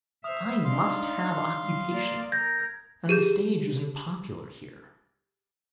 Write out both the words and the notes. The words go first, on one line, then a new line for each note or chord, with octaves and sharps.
I must have occupation, and the stage isn't popular here.
C5 E5 D#6 F6
D4 D#4 F5 C6
F#3 G3
A#3 D5
A#4 G6 G#6 A#6
G4 G#4 G6